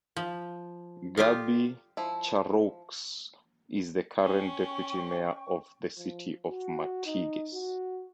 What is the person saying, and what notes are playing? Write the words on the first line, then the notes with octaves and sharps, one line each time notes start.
Gaby Charroux is the current deputy Mayor of the City of Martigues.
F3 F5
F4 G4 A4 D5 F5
F3 E4
C#4 G5 C#6
F3
F#4
D#4
F#4